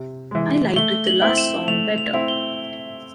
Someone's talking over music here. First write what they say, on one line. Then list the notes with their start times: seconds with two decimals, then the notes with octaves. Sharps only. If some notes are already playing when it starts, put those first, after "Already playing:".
I liked the last song better.
Already playing: C3
0.31 E3 G#3
0.76 A3 G7
1.07 F#7
1.22 C4 E4
1.38 E7
1.68 A3 F7
1.98 F7
2.14 C4 E4
2.28 G7